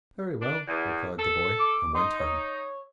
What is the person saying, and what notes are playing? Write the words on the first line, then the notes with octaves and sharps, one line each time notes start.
'Very well,' replied the boy, and went home.
D4
E2
A4
D6
D#4 C6
C#5